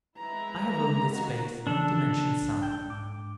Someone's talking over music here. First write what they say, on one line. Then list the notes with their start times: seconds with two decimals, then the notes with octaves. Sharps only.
I have only space to mention some.
0.17 G#3 E4 B4 A#5
1.08 D#3 A#3 F#4
1.67 C#3 E3 F3 D4 A4
2.41 B1
2.62 G5 G6
2.90 G#2 D6